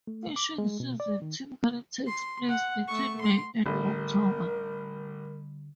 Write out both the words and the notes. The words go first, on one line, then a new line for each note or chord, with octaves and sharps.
Fishing season typically takes place between May and October.
A3
D6
G#3
B2
D5
D#3
C6
F#5
A3 C#6
C6
A1 D3 G3 A#4